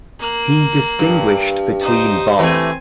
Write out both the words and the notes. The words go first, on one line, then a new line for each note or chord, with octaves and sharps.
He distinguished between var.
A#3 F#6
G2
D#4 C5
E3 A3 C4 G#5